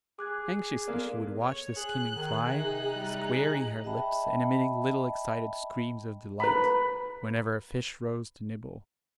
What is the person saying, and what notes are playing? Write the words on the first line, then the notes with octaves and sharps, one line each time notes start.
Anxiously she would watch the skimming fly, squaring her lips and emitting little excited screams of delight, whenever a fish rose to nibble.
G#4 D6 F#6 G#6
A#3 B3 A4 D5
C#5
G#4 F#6
D#3 G#4
C3 D#4 F#6
G3
G#4
D#5 E5 G5 A5 B5
B4 A#5 B5